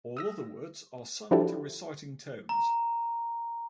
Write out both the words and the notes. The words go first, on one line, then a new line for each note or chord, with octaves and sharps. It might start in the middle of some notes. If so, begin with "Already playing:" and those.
All other words are sung to reciting tones.
D#6 E6 A#6
F3 D4 E4 F#4 G4 A4
A#5